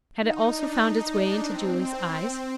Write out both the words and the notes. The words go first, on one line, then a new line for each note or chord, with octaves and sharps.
Had it also found its way into Julie's eyes?
D#4
D4
D#4
D4
C4